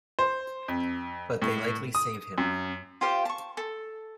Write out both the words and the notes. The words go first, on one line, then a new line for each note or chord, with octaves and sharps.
But they likely save him.
C5
F2
A2
D#6
F#2
F4 G4 C5 F5
A5 C#6
A4